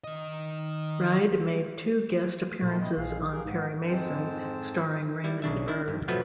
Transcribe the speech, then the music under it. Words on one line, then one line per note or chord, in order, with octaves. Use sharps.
Reid made two guest appearances on "Perry Mason" starring Raymond Burr.
D#3 D#5
A#2 D#3 E4 A4
C4 E4 D#5
A#1 F2 G#4 F5
G4 G#4 A#4
G#2 B3
F2 G#2 G#3 C4 C5 A5
G3 E4
B1 C#3 D4 E5
D4 E4
G2
B2 F3 F#3 A3 B3 B4